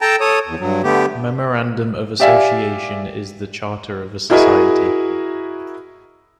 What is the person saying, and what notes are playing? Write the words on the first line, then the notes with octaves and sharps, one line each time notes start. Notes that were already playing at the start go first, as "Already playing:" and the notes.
Memorandum of association is the charter of a society.
A4 G5 A5 A#5
A4 C#5 D#6
E2
G2 F#3
D3 A3 B3 G4
G4 D5 E5 F5 G#5
E4 F#4 G#4 A#4 D#5 E5